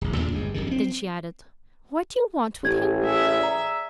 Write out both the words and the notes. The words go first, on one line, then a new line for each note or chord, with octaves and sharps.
Then she added: "What do you want with him?"
D1 A1
D#2 A#2 A#3 D4
G1 G2 G#3
F1 F#2 C3 D#3
C4 C#4
A1 G4 G#6
G#4 E5
D5 A#5